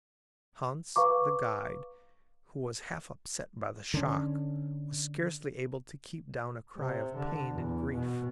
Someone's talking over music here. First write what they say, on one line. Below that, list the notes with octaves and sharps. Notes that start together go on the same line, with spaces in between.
Hans, the guide, who was half upset by the shock, was scarcely able to keep down a cry of pain and grief.
B4 F5 A#5 C#6 D6
D3 C#4
C3
D3
E2
B2